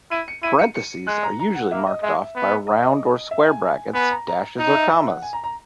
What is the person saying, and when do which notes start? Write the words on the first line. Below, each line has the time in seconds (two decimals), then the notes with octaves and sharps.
Parentheses are usually marked off by round or square brackets, dashes, or commas.
0.11 E4 D#7
0.28 C#7
0.43 E4 D#7
0.59 C#7
0.75 C#7
1.07 G#3 F#6
1.23 A#5
1.39 A#5
1.55 F#5
1.71 A#3 E5
1.87 D#5
2.03 G#3 E5
2.36 B3
2.67 D#5
2.83 D#5
3.31 E5
3.46 G#5
3.94 B3 G#5
4.11 A#5
4.27 A#5
4.59 D#4 D#5
4.75 E5
4.91 E5
5.07 F#5
5.22 G#5
5.33 A#5
5.44 A#5